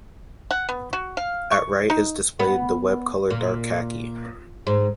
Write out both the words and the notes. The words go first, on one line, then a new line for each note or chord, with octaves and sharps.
At right is displayed the web color dark khaki.
F#5
B3
F#4
F5
C#6
D#4
B3
A#2
G#2